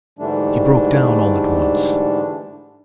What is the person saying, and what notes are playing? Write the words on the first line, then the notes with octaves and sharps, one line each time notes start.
He broke down all at once.
G#2 D3 E3 G3 A3 D4